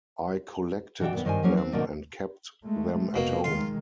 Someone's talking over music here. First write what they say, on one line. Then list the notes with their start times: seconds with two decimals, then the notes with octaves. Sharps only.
I collected them and kept them at home.
1.00 B2 E3 D4 F#4 G5
1.13 A#2 D#3 B3
1.25 G2 D#3 C5 F5 G#5
1.43 F3 F#3 A#3 C#4
1.57 C4 B4
1.72 G#2 B2 D#3 A#3 D4 D#4
2.64 G#3 A3
3.14 F1 B2 A#3
3.44 D#3 G#3 F4 C6